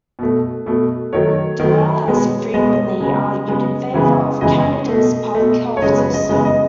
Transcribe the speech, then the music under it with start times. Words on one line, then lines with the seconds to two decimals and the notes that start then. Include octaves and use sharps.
Doer has frequently argued in favour of Canada's public health system.
0.19 B2 A3
0.66 B2 A3
1.13 D#3 F#3 A3 C#5
1.60 D#3 F#3 A3
2.07 B2 G#3 B3
2.54 B2 G#3 B3 D#5
3.00 C#3 G#3 B3
3.48 C#3 G#3 B3
3.94 C#3 E3 G#3 B3
4.41 C#3 E3 G#3 B3 D#5
4.88 B2 A3
5.35 B2 A3
5.77 C#5
5.82 C#3 G#3 B3 D#5
5.98 B4
6.14 D#5
6.29 C#3 G#3 B3 D#5
6.45 D#5